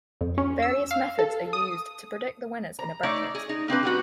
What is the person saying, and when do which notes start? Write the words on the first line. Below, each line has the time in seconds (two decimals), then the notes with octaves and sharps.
Various methods are used to predict the winners in a bracket.
0.21 F2
0.38 C#4
0.62 E6
0.91 F5
1.19 A4
1.53 D#6
2.79 A#5
3.03 A3 D#4 C#5 D5
3.35 G#4
3.49 D#4
3.68 A#3 C4 D4 B4
3.83 G3 B3 F#4